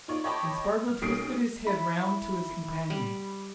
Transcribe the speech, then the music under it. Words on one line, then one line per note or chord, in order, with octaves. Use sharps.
And Spargo twisted his head round to his companion.
D#4 F4 C#5 D5
C#5 D#5 G5 A5 B5 D6
F6
B1 G3 C#4 D#6 C7 D7
E4 B5
G3